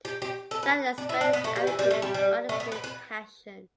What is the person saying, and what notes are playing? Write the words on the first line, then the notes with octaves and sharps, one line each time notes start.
That experience added to his artistic passion.
G4
G4
A4
B4
D4
E4
D4
B3
A3
G3
E3
G3
A3
G3
G3
A3
B3
B4
B4